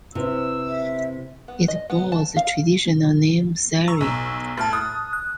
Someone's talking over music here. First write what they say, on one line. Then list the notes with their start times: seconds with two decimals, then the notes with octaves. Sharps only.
It bore the traditional name "Sarin".
0.15 C3 E4 B4 C5 E6
0.68 E5
1.48 B3
1.68 D#5
1.90 B3
2.12 A5
2.36 F5
3.88 A#5 C#6 E6
4.01 B1
4.57 A2 A5 F6 A6
4.73 D#6 F#6
5.13 F#6